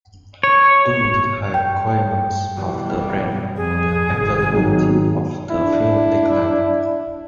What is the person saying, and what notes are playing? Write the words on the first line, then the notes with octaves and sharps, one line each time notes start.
Due to the high requirements of the brand, the availability of the fuel declined.
C#5
G5
B2 E3 G3
F2 G#4
G#1 C3
D#3 F#3
D4 E4